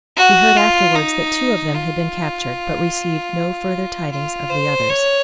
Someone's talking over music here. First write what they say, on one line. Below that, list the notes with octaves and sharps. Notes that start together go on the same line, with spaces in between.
He heard afterwards that two of them had been captured, but received no further tidings of the others.
F#4
F4
D#4
F4
F4
C5
C#5